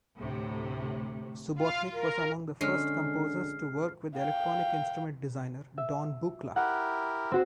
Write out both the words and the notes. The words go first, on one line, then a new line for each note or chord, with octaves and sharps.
Subotnick was among the first composers to work with electronic instrument designer Don Buchla.
D2 A2 C3
F4 F5
A#4
D3 G#3 C#4 F6 C7
F5 G5
E5
E4 G4 A#4 F#5
C4 F#4 C5